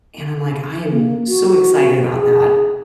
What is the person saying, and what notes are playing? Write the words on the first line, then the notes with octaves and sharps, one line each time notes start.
and I'm like, "I am so excited about that."
A#3
F#4
G#4